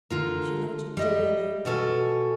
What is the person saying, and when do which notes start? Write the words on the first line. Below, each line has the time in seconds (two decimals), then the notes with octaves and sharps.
She loved yo' dearly.
0.10 D3 F4 A#4
0.97 G3 D#5 E5
1.65 B2 F4 F#4 A4 C#5 G#5